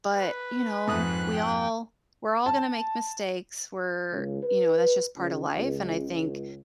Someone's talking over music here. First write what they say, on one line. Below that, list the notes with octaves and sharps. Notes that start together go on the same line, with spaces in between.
But, you know, we all we're all gonna make mistakes where, you know, that's just part of life, and I think,
B4
F2 G#2 D#6 F#6
G5
A5
C#2
B4
C#2
C#2